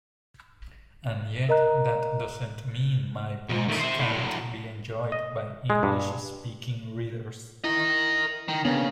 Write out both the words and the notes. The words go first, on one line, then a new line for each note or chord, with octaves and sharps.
And yet, that doesn't mean my books can't be enjoyed by English-speaking readers.
A#4 D#5 A#5 F#6
E2 G#2
D#3 A3
C5 E5
A2
A2 F#3
D#5
G#3
G2
E4 A#4 D#5
D#3
C#3 A#3 B3 D4